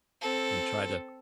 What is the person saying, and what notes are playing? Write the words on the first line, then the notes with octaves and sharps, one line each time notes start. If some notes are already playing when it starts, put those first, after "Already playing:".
and try to
C4 A4